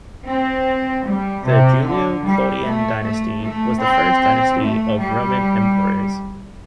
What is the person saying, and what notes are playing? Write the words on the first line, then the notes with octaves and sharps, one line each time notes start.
The Julio-Claudian dynasty was the first dynasty of Roman emperors.
C4
G3
C3
D3
G3
A3
A3
A3
C4
A3
G3